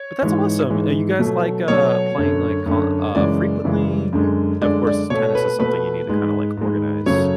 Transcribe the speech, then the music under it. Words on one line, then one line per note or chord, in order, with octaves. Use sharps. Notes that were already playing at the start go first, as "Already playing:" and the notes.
But that's awesome! Uh, you guys, like, uh, playing, like, con n uh, frequently? Of course, tennis is something you need to kinda, like, organize
Already playing: C#5
G#2 E3 G#3
G#2 E3 G#3
B2 F#3 A3
B2 F#3 A3 C#5
F#2 D3 A3
F#2 D3 A3
F#2 C#3 E3 G#3 D5
F#2 C#3 E3 G#3
F#2 D3 G#3
F#2 D3 G#3 D5
D5
B2 A3 C#5
B4
B2 A3 B4
G#2 G#3
G#2 G#3
F#2 C#3 F#3 A3 C#5